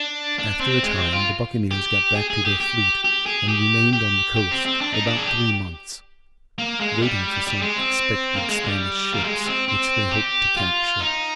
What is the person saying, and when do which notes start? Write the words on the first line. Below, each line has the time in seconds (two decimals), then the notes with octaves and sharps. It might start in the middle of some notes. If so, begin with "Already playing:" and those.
After a time the buccaneers got back to their fleet and remained on the coast about three months, waiting for some expected Spanish ships, which they hoped to capture.
Already playing: D4
0.39 D4
0.61 C4
0.83 G#3
0.97 C4
1.12 F4
1.71 G4
2.15 G#4
2.30 G#4
2.45 G4
2.60 G4
3.04 G4
3.26 G#4
3.48 G4
3.93 G4
4.36 G4
4.51 C4
4.66 C4
4.81 D4
4.93 D#4
5.07 D4
5.16 G#4
5.26 G4
6.58 A#3
6.80 G#3
7.02 G3
7.47 G3
7.62 G#3
7.76 C4
8.35 A#3
8.50 G#3
8.64 G3
9.13 A#3
9.24 G#3
9.46 C4
9.68 C4
10.11 G4
10.57 F4
11.00 D#4